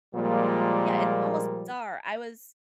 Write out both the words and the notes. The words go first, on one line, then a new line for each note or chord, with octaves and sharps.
Yeah, it's almost bizarre, I was
A#2 F3 G3 G#3 A#3